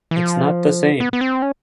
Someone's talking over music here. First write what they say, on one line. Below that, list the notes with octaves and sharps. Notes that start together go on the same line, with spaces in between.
It’s not the same.
E3
F3
B3
B3
C4
C#4